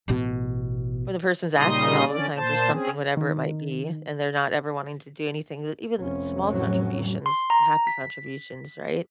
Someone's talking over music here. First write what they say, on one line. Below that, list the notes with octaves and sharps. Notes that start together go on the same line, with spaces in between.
Or the person's asking all of the time for something, whatever it might be, and they're not ever wanting to do anything that even small contributions, happy contributions, right?
A1 B2
A#2 C#3 G3 D#4 C6 D#6
D3 C#4 D5
A#2 C5 A5
C4 C#4 G#4
D#3
F1 C#4
A2 F#3
C6
A#5
B6